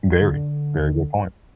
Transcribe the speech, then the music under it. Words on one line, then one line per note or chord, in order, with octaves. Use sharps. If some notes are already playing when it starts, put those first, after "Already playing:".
Very. Very good point.
D3